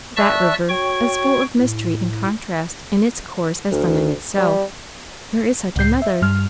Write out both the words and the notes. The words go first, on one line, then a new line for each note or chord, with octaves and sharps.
That river, as full of mystery and contrast in its course as London itself--where is such another?
D5 E5 A5 C#6 E6 F#6
F#4 C#5 G5 C#6
A2
D2
G3
C#2 A2 G6 C7
E5
G2 G3 F6